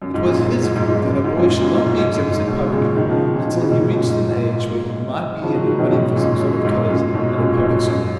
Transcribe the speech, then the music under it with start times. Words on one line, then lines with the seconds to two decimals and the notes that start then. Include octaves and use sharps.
It was his view that a boy should not be exhibited publicly until he reached an age when he might be in the running for some sort of colours at a public school.
0.02 F#2
0.14 G#2
0.26 F#2 A#2
0.39 G#2
0.63 G#2
0.75 G#2
0.88 G#2
1.00 F#2
1.12 F#2
1.24 G#2
1.37 F#2 A#2
1.49 G#2
1.61 F#2 A#2
1.74 G#2 B2
1.86 G#2
1.98 G#2
2.15 F#2
2.31 G#2
2.47 G#2 B2
2.72 A#2 C#3
2.96 B2 D#3
3.09 C#3 F3
3.33 A#2 C#3
3.46 B2 D#3
3.58 A#2 C#3
3.70 G#2 B2
3.82 G#2
3.94 F#2 A#2
4.07 G#2
4.31 G#2
5.42 C#3 F3
5.54 D#3 F#3
5.67 D#3 F#3
5.78 B2 D#3
5.85 C#3
5.91 G#2 B2
6.16 F#2 A#2
6.40 F#2
6.65 G#2
6.89 F#2 A#2
7.14 G#2 B2
7.38 F#2 A#2
7.54 A#2
7.63 G#2
7.88 F#2